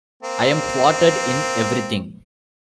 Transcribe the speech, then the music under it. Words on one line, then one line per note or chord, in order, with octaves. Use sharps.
I am thwarted in everything.
A#3 C4